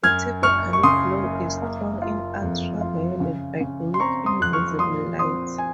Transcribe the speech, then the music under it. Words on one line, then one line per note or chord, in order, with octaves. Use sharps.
The typical glow is strong in ultraviolet but weak in visible light.
F#2 F6 G#6
F#1 C#6 F6
C#6
C#3 C6 D#6
F#1
A#3
F4
F2
F4
C#3
C#3
C6
C4 A#5 C#6
C6 D#6
F2 F#6
C#6 F6
A#2 C6 D#6
C4 C6 D#6
G#5